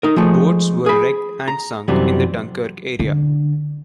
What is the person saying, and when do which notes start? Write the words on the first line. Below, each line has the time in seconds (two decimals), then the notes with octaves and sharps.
Boats were wrecked and sunk in the Dunkirk area.
0.03 D#4 A#4
0.16 F3 G#3 A3
0.86 G#4 B5
1.48 A#5
1.88 F#2 C3 E3 G3
3.00 D3